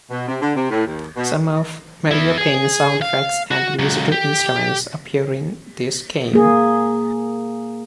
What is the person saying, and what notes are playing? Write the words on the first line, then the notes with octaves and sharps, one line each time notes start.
Some of "Mario Paint"s sound effects and musical instruments appear in this game.
B2
C3
D3
C3
A2
D#2
B2
B3 E4
G#4
F5
F#4
C#2 F#3
G4
A#3 G#4